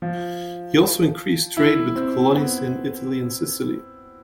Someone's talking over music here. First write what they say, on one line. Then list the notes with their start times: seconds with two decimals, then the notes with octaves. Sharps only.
He also increased trade with the colonies in Italy and Sicily.
0.02 F3
1.57 E4
1.96 C4
2.34 B3